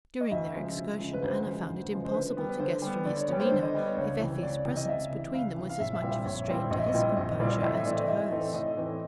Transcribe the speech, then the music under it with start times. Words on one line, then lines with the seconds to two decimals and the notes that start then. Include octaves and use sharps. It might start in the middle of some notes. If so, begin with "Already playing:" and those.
During their excursion Anna found it impossible to guess from his demeanour if Effie's presence between them was as much of a strain to his composure as to hers.
0.21 D#5
0.31 D2 E5
0.54 C#3 F3 G#3
0.76 D2
0.99 C#3 F3 G#3
1.13 B4
1.22 D2 C5
1.45 C#3 F3 G#3
1.69 D2
1.92 C#3 F3 G#3
2.05 C5
2.13 D3 B4
2.37 G3 B3
2.49 B4
2.59 D3 C5
2.82 G3 B3
3.05 D3 D5
3.17 C#5
3.28 G3 B3 C#5
3.40 C5
3.51 D3 C5
3.63 D#5
3.74 G3 B3
3.85 C#5
3.97 C#2 C#5
4.19 C3 E3
4.34 C#5
4.42 C#2 D5
4.65 C3 E3
4.77 D#5
4.88 C#2 E5
5.11 C3 E3
5.34 C#2 F5
5.57 C3 E3
5.70 F5
5.80 A#1 E5
5.94 E5
6.02 A#2 G3 C4 E4
6.11 E5
6.25 A#1 C#5
6.48 A#2 G3 C4 E4
6.71 A#1 D#5
6.79 E5
6.86 D#5
6.94 A#2 G3 C4 E4
7.17 A#1 D#5
7.40 A#2 G3 C4 E4 D5
7.53 D#5
7.62 A2 E5
7.74 E5
7.85 E3 A3 C4 D#4 D5
7.97 D#5
8.08 A2 E5
8.31 E3 A3 C4 D#4
8.53 A2 D#5
8.76 E3 A3 C4 D#4